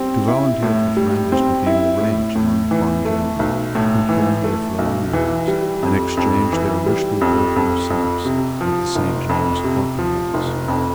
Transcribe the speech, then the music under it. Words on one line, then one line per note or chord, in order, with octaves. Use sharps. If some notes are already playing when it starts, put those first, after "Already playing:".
To volunteer for Flanders became the rage among the fine gentlemen who combed their flowing wigs and exchanged their richly perfumed snuffs at the Saint James's Coffeehouse.
Already playing: G3 C4
E4
A2
G3
C4
E4
A2
A2
E3
A3
B1
A2
E3
A3
B1
E3
G3
F2
F2
E3
G3
F2
F2
F2
C3
F3
F1
F2
C3
F3
F1
F2